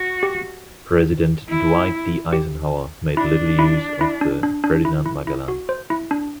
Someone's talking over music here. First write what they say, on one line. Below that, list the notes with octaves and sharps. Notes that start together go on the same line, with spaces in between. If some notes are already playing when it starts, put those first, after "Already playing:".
President Dwight D. Eisenhower made little use of the "Ferdinand Magellan".
Already playing: F#4
G4
E4
G4
D4 E4
E4
E4
D4
D4
D4
E4
E4
E4
F#4
C5
E4
D4